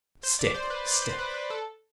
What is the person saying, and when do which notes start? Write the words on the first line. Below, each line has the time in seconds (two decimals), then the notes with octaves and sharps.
'Stick, stick!
0.23 C5
0.39 D5
0.54 C5
0.70 B4
0.87 D5
1.02 C5
1.19 B4
1.34 B4
1.50 A4